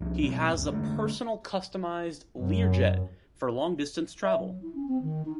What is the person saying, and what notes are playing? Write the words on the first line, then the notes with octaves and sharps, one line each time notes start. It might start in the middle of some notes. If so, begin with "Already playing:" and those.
He has a personal customized Lear jet for long-distance travel.
C2 F3
B2 F#3 C4
F#1 C#2 F#2
D3 G#3 A3
F#2
E5
F#3
E4
C#4
C4
D#3
D#4